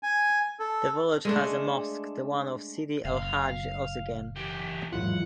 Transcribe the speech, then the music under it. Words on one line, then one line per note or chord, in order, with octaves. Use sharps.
The village has a mosque, the one of Sidi El Hadj Ouzzeggane.
G#5
A4
G#3 A3 D4
F#1 F5
E2 G4
G#1 E2 F#3 E4 F4 F#5